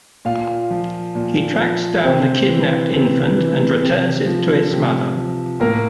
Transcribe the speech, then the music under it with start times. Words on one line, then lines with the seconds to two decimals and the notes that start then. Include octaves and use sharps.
He tracks down the kidnapped infant and returns it to its mother.
0.25 A#2 F4 F5
0.71 F3
1.15 A#2
1.59 F3
2.04 C3 C4 C5
2.48 E3
2.93 C3
3.38 E3
3.83 C3
4.26 F3
4.71 C3
5.16 F3
5.60 A2 A#3 A#4